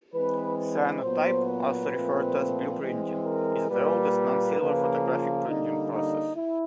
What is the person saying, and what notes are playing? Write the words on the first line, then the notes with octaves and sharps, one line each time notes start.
Cyanotype, also referred to as "blueprinting", is the oldest non-silver photographic printing process.
E3 G#3 C4 B4
B4
A#2 F#3 B3 C5
B4
A#2 F3 A3 C4
E3 G#3 C4
A#4
A#2 G3 A#3 B4
C#3 F3 A#3
F4
D3 G3 A#3 D#4
D#4
E4